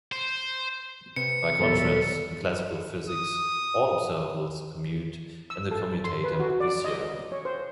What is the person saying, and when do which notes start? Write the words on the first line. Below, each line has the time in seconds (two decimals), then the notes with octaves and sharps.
By contrast, in classical physics, all observables commute and the commutator would be zero.
0.12 C5
1.16 C3 C4 B4 C#7
1.59 E2 B2 F#3 G3 B3 A4 A#4
3.09 D#6
5.50 E6
5.71 A4
6.04 C6
6.24 B4
6.39 F#4
6.60 D5
6.84 D#5
7.32 C#5
7.45 C5